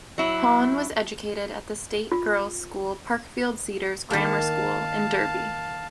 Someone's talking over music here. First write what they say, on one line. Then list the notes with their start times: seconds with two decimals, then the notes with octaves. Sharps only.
Hann was educated at the state girls' school Parkfield Cedars Grammar School in Derby.
0.18 F#3 E4
2.12 F4
4.10 D#3 A#3 F5 A5